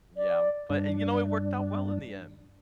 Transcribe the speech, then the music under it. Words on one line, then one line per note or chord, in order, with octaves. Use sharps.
Yeah, but you know, it worked out well in the end.
D5
G2 D4